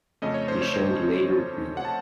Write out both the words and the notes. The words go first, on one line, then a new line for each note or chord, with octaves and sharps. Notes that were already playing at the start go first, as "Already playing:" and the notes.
He showed laboured breathing.
F2 C#3 A3 C#4 D#5
C#5
C5
C#5
C5
F#5
A5